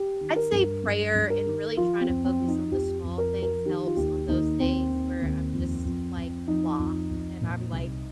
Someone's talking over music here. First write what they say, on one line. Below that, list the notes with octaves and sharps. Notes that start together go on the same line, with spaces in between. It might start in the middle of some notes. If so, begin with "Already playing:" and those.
I'd say prayer and really trying to focus on the small things helps on those days where I'm just like, "Blah." And I'm like,
Already playing: G4
D#3
A#4
G2
G2
G2
A#4
D#3
F3 F4
C4
F2
C4
F3
D#4
F2 G4
F2
A#4
F3
A#4
D#3 G4
F4
D#2 G4
D#2 D#4
D#2 C4
D#3
D#2
F2
F2
F2
F3 D#4
F2
F2
A#2
C2